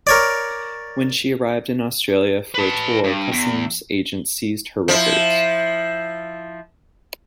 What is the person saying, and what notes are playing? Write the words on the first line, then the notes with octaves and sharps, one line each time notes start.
When she arrived in Australia for a tour customs agents seized her records.
A#4 C#5 D5
B4 A5
G2
E2
F3 E4